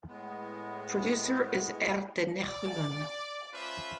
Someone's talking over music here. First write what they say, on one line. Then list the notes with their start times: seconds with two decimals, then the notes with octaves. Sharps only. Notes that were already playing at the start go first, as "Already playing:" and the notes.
Producer is Erdenechulun.
0.08 A2 G#3 B3
2.44 D5
3.53 A3 C#4 F4 B4 C5 E5